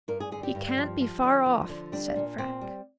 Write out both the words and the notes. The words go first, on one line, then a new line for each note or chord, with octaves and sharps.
"He can't be far off," said Frank.
G2 A#4
G#4
D3 G#4
G4
G2
F3
F3
D3
F3
D3
G3 D4
A#2
A#2 C4
G3